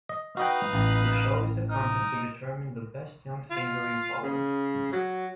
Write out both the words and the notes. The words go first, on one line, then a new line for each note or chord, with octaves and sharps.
The show is a contest to determine the best young singer in Poland.
D#5
D#4 F#4 B4 D#5 F5 G5
A1
D#4 A#4
F4
C#3
F#3